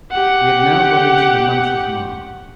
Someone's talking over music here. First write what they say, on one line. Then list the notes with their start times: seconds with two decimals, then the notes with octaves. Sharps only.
We had now got into the month of March.
0.11 G4 F#5